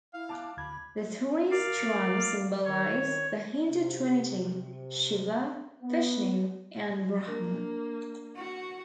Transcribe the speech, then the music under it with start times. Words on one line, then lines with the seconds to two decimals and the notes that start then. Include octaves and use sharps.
The three strands symbolise the Hindu trinity - "Shiva", "Vishnu" and "Brahma".
0.14 E4 F5
0.29 A5 D6 F#6
0.57 D2 B5 G#6
1.51 A#4 D5 F5
2.65 D#3 C#5
3.70 C3
5.82 B3
7.27 A#3 D4 A#4
8.36 F#4